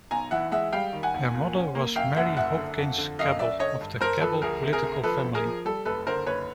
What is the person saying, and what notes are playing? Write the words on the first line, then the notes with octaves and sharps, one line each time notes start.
Her mother was Mary Hopkins Cabell, of the Cabell political family.
B1 G#5 A#5
E3 E5 F#5
G#3 E5 F#5
G3 F5 G5
D#3
F#5 G#5
D#2
A#2
C#4
A#3
F#2 F5 G5
F#1 E5 F#5
F#2 E5 F#5
D3
F2
D3
F#2 D#5 F5
F#2 D5 E5
D3 C#5 D#5
G2
G2 A#4 C5
F3 A4 B4
D2 G#4 A#4
C3
G#4 A#4
D2
F3 A4 B4
A#1
G#4 A#4
F3
G3 A4
F#1 A4 B4
D3 A#4 C5
F#1 B4 C#5